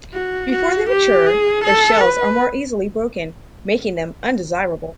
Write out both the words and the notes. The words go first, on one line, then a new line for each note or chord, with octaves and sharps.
Before they mature, their shells are more easily broken, making them undesirable.
F#4
F#4
G4
G#4
A4
B4